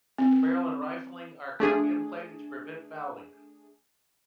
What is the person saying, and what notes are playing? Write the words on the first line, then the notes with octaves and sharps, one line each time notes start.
The barrel and rifling are chromium-plated to prevent fouling.
C4
A3 D4 G#4